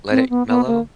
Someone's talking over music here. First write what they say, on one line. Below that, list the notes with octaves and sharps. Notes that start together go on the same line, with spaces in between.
let it mellow,
C4
B3
B3
A#3